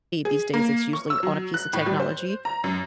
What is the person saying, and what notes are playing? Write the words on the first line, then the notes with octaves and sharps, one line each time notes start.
these days, it's usually on a piece of technology,
G#4
A#3
C#6
E6
F#3
F#6
A2
G3
C5
A#5
F#2